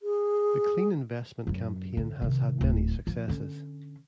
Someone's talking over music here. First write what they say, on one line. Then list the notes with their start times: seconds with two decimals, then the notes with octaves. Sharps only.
The Clean Investment campaign has had many successes.
0.02 G#4
1.47 F#2 F#3
1.97 D3
2.22 C3 D#3
2.61 D1
3.07 F3
3.28 D3 C#4